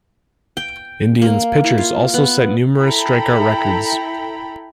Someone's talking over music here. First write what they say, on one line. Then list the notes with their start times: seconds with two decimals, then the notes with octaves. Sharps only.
Indians' pitchers also set numerous strikeout records.
0.57 G5
1.22 A#3
1.64 E4
1.78 F4
2.14 B3
2.78 E4 A4 G5 A#5 B5